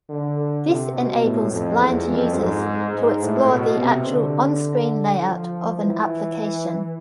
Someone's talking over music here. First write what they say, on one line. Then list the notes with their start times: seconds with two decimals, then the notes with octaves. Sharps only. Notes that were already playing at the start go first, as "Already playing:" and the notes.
This enables blind users to explore the actual on-screen layout of an application.
0.09 D3
0.66 C3
0.95 B2
1.24 A2
1.52 F2
1.80 E2
2.09 F2
2.38 G#2
2.95 G#2
3.23 A2
3.52 B2
3.80 C3
4.08 D3
5.22 F3
5.80 E3